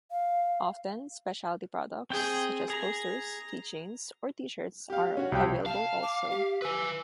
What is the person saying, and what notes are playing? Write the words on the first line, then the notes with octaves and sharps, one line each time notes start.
Often specialty products, such as posters, keychains or t-shirts, are available also.
F5
C4 G#4 G5
G#4 A#5
G4 F5
C#4 F#4
C2 G4 F5 G5
F5 A5
D6
G4
B4 G#5 E6